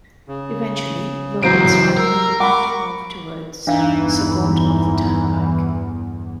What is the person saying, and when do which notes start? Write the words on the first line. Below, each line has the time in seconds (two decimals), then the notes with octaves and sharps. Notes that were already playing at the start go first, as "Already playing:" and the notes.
Eventually, locals finally began to move towards support of the turnpike.
0.28 C#3
1.43 C#2 E3 F#3 C5 A#5 D7
1.97 A#4 E6
2.40 F#5 B5 C#6 D6
3.67 G1 E2 E3 D4 D#4 F5